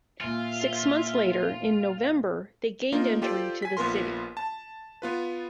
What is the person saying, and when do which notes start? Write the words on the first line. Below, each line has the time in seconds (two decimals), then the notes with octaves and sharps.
Six months later, in November, they gained entry to the city.
0.21 A#2 A#3 F4 E5 G#5
2.92 A#3 C#4 D#4 F4 A#4
3.22 F4 G4 A4 C5 D5
3.62 G#5 B6
3.77 A#1 B3 F4 A#4 C6
4.37 A5
5.02 B3 F4 B4